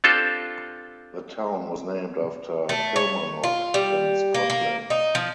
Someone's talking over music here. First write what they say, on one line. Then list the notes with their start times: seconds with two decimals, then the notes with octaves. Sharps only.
The town was named after Kilmarnock, in Scotland.
0.04 C4 D4 F4 G4 A4 C5
2.69 A3
2.96 C#5
3.44 F4
3.74 G3
4.34 A#3
4.50 A#3
4.90 D#4
5.15 F3